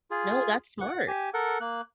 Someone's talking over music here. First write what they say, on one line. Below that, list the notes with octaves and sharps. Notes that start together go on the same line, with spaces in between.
No, that's smart.
F4 G#4
F#5
G4 G#5
A4 A#4 F#5
A#3 F#6